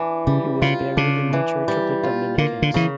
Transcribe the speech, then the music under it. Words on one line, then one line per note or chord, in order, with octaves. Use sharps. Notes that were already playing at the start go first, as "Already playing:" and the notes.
He was buried in the Church of the Dominicans.
Already playing: E3 D4
C#3 G3
C#3 F4
C#3 D4
E3
G3
F4
D3 A#3
D3
C#3 E3